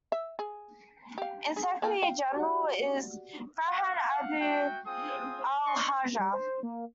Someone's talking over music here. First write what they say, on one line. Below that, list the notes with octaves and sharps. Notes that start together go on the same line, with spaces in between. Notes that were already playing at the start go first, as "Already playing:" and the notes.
Its Secretary-General is Farhan Abu Al-Hayja.
E5
G#4
G4 F5
G#4
A#3 C4 F4
F5 G5
F#4 G4 D5 F#5
F5 F#5
F#4 E5 G5
C4 F4 G#4 G5 D#6
D4 D#5 C6 C#6
A#6
G3
C5
A#3